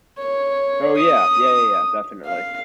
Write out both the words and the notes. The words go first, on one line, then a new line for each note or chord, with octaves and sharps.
Oh, yeah. Yeah, yeah, yeah, definitely.
C#5
D#6
F5